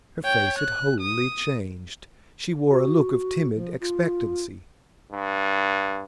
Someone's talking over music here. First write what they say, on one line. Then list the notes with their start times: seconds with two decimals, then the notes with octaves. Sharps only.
Her face had wholly changed; she wore a look of timid expectancy.
0.24 C#5 G5
0.59 F#6
1.01 D#6
2.69 F#4
3.55 F3
3.80 F4
5.12 G2